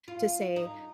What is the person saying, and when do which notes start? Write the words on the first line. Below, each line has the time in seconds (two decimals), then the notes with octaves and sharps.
to say,
0.08 F4
0.56 D#4